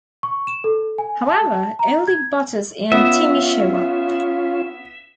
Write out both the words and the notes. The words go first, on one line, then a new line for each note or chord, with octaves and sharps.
However, only Butters and Timmy show up.
C#6
E7
A4
G#5
A5
A#5
G#6
B3 C#4 F4 E5